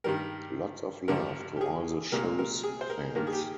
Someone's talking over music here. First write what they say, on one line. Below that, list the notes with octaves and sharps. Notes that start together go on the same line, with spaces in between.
Lots of love to all the shows fans.
G2 D#3 G3 A#4
G2 D3 F3 A#4
G4
G#4
C2 A#2 G#3 A#4
A#4
G#4
C5
A#4
G2 D#3 A#3 A#4
G#4
G4